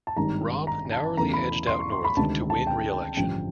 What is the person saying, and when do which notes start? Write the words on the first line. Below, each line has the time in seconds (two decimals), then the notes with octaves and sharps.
Robb narrowly edged out North to win re-election.
0.07 A5
0.16 G#1 G2 D#3 G#3 A#5
0.67 A#5
0.85 A#5
0.92 A5
1.17 E2 C#3 E3 A3 A#5
1.33 B5
1.67 C6
1.79 C#6
1.92 C6
2.04 B5
2.17 D2 C3 D#3 G#3 A5
2.50 A5
2.67 G5
2.92 G5
3.17 A1 G2 D3 F3 G5